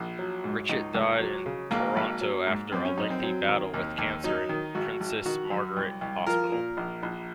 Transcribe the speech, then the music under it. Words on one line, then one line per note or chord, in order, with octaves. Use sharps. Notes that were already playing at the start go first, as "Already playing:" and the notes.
Rittich died in Toronto after a lengthy battle with Cancer in Princess Margaret Hospital.
Already playing: A#1
F#3
G#2
C#2 D#4
C#2
F#3
C#3
G#1 A#3
G#1
F#3
G#2
F#2 C4
C#4
F#2 D#4
C4
F#3
D#3
D#2
D#2
F#3 D#4
D#3
G#1 F#4
G#1
D#3 F#4
F#2
C2
C2
F3 A#4
A#2
A#1
A#1